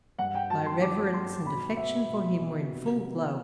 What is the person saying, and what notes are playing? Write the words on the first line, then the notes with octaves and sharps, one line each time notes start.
My reverence and affection for him were in full glow.
G2 F#5
G5
F#3 A5
C6
G2 D6
G2 C6
B2 B5
B3 E5
B2
B2
C3
B3